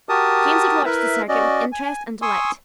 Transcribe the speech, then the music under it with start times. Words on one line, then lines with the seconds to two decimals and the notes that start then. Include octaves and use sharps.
James had watched the circuit with interest and delight.
0.09 F#4 G4 A#4 A5 D#6
0.85 E4 A#4 B4 E5
1.29 C#4 F#4 D5 D#5
1.72 G#5
2.22 G#5 C6 C#6 D#6 E6